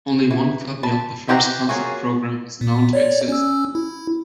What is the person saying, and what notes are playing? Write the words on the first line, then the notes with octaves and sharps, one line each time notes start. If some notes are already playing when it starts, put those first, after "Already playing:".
Only one copy of the first concert program is known to exist.
E3
A5 B5
E3 C4 G4 F#5 A#5
A#3 C#4 F4 F#4 G#4
A#2
C#5 D5
C#4 E6
E4